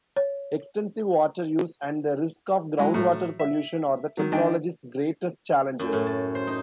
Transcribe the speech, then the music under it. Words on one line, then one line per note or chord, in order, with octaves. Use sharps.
Extensive water use and the risk of groundwater pollution are the technology's greatest challenges.
C#5
F#3 G#3 E4
A2 F#3
E5
D#3 F#3
D#3 D4 D#5 G5
F#2
A2
A5
C5
D#4